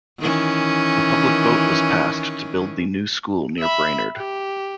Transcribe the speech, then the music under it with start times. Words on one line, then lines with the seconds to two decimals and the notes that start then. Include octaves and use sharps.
A public vote was passed to build the new school near Brainerd.
0.19 D#3 E3 C#4
3.58 E5 B5
4.17 G4